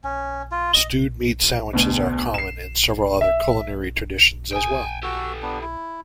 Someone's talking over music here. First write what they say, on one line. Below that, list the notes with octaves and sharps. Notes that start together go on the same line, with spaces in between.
Stewed meat sandwiches are common in several other culinary traditions as well.
C#4
F4
D#5
D2 B2
C7 E7
E5
G#4 G5 G#5
F#4 G4 A4 E6
B3 D4
E4